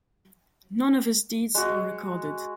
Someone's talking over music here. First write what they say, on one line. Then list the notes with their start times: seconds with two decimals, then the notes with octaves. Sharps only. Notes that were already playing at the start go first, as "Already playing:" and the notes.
None of his deeds are recorded.
1.55 G#3 F#4